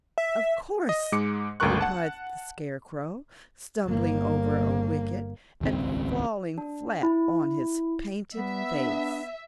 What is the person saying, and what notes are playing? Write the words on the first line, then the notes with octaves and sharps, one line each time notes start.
"Of course," replied the Scarecrow, stumbling over a wicket and falling flat on his painted face.
E5
D#5
G#2 G#3 D6 C#7
G1 C#2 A3 A#4 C#6 F#6
F#5 A5
G1 A#3
D#1 G#1 C#2 C4
D4
E4
G3 B3 E5
D4